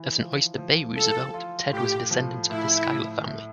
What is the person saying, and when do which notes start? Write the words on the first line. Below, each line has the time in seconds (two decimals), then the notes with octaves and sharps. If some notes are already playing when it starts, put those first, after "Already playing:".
As an Oyster Bay Roosevelt, Ted was a descendant of the Schuyler family.
Already playing: E3
0.19 F3
0.57 F3
0.96 F3 A4
1.34 F4
1.73 A2 G4
2.11 F3
2.50 A2 E4
2.88 A2
3.26 E4